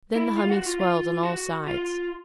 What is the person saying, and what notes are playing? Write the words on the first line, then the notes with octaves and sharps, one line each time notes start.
Then the humming swelled on all sides.
E4
F4
F#4
F4
F4
F#4
F4